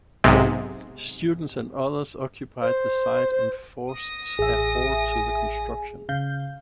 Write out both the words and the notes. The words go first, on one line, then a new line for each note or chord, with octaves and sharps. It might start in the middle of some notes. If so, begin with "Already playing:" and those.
Students and others occupied the site and forced a halt to the construction.
B1 G#2 C3
C5
D#6 A#6
A1 G#4 E5 G#5
C#3 F5 G6